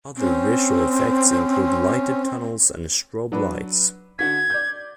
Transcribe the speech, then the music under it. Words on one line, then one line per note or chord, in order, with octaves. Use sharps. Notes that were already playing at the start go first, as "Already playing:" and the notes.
Other visual effects include lighted tunnels and strobe lights.
C4 C#4
F#3 D4 B4
D3 F#4 G#6 B6
D5 G6